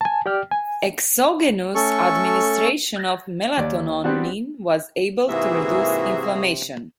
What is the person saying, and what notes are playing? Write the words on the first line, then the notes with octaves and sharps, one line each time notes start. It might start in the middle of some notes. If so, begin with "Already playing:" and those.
Exogenous administration of melatonin was able to reduce inflammation.
G#5 A5
G4 D5 G5 F6
G#5
A3 C#4 A4 C#6
D#2 D5
G3 B3 C4 D4 F#4
G#2 C3 E3 A#3 F#4 G#4 E5